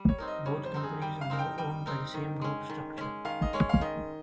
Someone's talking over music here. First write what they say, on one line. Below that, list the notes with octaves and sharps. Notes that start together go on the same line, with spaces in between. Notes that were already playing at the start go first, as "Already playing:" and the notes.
Both companies are now owned by the same group structure.
Already playing: G3
C#5
C4 D#4 A#4
D#5
G3 C#5
C5
C4 D#4 A#4
G#4
G3 G5
F5
C4 D#4 A#4
G5
G3 G5
C4 D#4 A#4
D#3
G#3 C#4
D#3
G#3 C#4
D#3 F5
D#5
G#3 C#4 C#5
F5
D#3 D#5